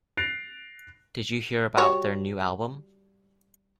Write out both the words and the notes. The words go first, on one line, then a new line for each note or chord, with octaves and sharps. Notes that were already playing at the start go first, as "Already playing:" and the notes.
Did you hear about their new album?
F#6 A6 A#6 C7 D7 F7
G3 F#4 C#5